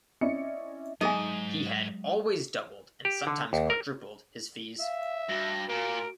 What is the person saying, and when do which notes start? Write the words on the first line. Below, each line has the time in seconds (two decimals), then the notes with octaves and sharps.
He had always doubled, and sometimes quadrupled, his fees.
0.21 C4 C#4 E4 D5 D#5 C#7
1.01 G#2 F#3 G#3 D#4 G#4 D#5 G#5
3.05 G4
3.27 D3
3.53 D#2
3.70 A#4
4.80 E5 F5
5.29 G2 F#4 A#6
5.69 A#2 A#4 D7